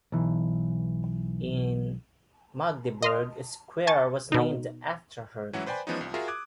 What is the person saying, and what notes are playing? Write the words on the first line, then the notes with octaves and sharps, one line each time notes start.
In Magdeburg a square was named after him.
B1 E3
D#5 C6 F6
G#5 A5 C#6 A6
B2 D#4
E3 F#3 C#4 E4 F#5
B4 C5 D5 G5 G#5 B5
E3 F3 G#3 B3 C#4 D#4
C2 F3
F4 F#4 G#4 A#4 E5
D6 D#6 F#6 G#6